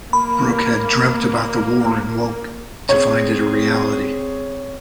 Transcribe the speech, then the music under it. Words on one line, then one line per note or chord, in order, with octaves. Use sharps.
Brooke had dreamt about the war and woke to find it a reality.
A#3 B5
C4 G#4 C#5